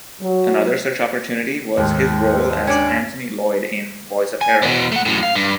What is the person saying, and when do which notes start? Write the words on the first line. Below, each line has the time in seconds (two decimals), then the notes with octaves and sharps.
Another such opportunity was his role as Anthony Lloyd in "Voice of Terror".
0.20 F#3
1.77 D#2 G#2
2.67 C#4 D4 D5
4.41 G#5
4.62 E2 B2
4.92 A3 F#5
5.06 F#2 A2
5.23 F5
5.35 G2